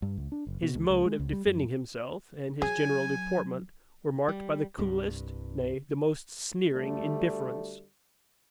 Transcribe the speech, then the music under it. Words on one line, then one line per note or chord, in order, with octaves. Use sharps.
His mode of defending himself, and his general deportment, were marked by the coolest, nay, the most sneering indifference.
G2
C#2
D4
F#1
B2
C#2
C#2
G#3
C#2
G3
F#2
F#3 G#4 G#5
G3
C2 G2
D2 G3 A3